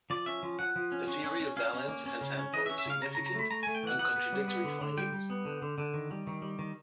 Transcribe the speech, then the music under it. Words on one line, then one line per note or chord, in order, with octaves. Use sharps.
The theory of valence has had both significant and contradictory findings.
F3 D5
C#4 E5
F3
F3 F#5
F3
C#4
C#4
C#4
C#4
C#4 F5
C#4
A#3
C#4
C#3
C#4
E3 D#5
E5
C#4
E5
C#3 F5
C#3 A#5
A#5
C#3
A#5
A3 B5
A3 A#5
A3 G#5
G5
E3 F#5
B3 F#5
B3
G3
B3
D3
D3
G3 G5
G3
B3
D3
D3
D3
D#3
G3
D#3
G3
D#3